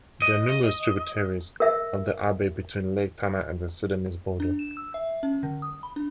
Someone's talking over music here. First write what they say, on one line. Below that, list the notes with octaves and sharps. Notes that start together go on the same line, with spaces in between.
There are numerous tributaries of the Abay between Lake Tana and the Sudanese border.
D#5
A#4 E5
D4
E7
E6
E5
C#4
D3
D#6
B5
D4